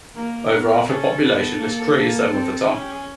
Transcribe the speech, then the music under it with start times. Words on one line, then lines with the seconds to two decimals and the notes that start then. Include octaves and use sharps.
Over half the population list Cree as their mother tongue.
0.15 A#3 A#4
0.50 B3
0.86 C#4 A4
1.22 B3 A4
1.59 A#3
1.95 A#3 A4
2.31 C4
2.67 C#4 G#4
2.79 G4
2.92 G#4